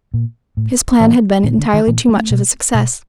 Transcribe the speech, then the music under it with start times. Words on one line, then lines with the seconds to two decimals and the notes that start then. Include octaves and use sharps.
His plan had been entirely too much of a success.
0.14 A#2
0.57 A2
1.00 A2 E3
1.44 A#2 D#3
1.58 D3
1.73 D#3
1.87 A#2 E3
2.09 A3
2.31 B2
2.74 B2